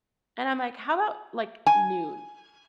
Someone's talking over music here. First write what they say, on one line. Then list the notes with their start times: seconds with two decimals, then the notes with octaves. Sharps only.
and I'm like, "How about, like, noon?"
1.66 G#5